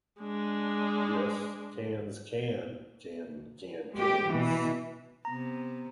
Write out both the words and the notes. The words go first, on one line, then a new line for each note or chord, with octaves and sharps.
Yes, cans can can canned cans.
G#3 D4
G#3 G4
B2 E3
C3 B3 A#5